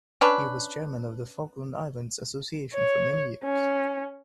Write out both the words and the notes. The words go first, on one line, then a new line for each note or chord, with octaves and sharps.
He was chairman of the Falkland Islands Association for many years.
C#4 D4 B4
C#5
C#4